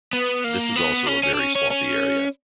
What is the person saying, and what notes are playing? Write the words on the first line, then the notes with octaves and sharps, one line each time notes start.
This is also a very swampy area.
B3
A#3
B3
C#4
C#4
D4
C#4
C#4
C#4